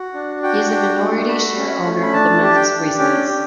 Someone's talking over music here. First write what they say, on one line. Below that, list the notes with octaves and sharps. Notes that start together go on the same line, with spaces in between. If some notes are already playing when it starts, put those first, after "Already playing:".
He is a minority share owner of the Memphis Grizzlies.
Already playing: F#4
D4
F#4 G5
D4
A3
F#4 B5
C#4
A3
B5
D4 A5
G4 A5
G5
D4
C#4 G5
G4